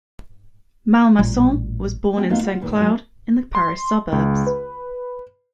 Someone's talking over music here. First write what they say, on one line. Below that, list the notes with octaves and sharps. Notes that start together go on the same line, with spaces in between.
Malmasson was born in Saint-Cloud in the Paris suburbs.
A1 A#2 G3
A3 B3 C#4 F#4 G5 G#5
F2 D#3 A3 B3 D#4 F4
F4 F#5
E2 A#2 D#3
D#2 F#3 G#5
C6
C#2
B4